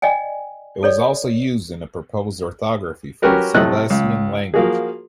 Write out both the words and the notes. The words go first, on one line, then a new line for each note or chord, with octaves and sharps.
It was also used in a proposed orthography for the Silesian language.
D5 D#5 G5 G#5
A4 C#5 D5
C#4 F#4 G4 A#4 B4
A2 C3 A3 D#5 F#6
C#2
F3 A#3 F#4 G#4